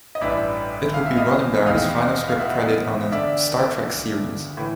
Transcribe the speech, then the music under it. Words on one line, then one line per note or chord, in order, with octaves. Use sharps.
It would be Roddenberry's final script credit on a "Star Trek" series.
D#5
A1 G2 E3 D5 E5
F5
E5
D#5 F5
E1 E2 C3 D#3 D#5 F5
F5
E5 F#5
D2 D3 D5 E5
A2 E3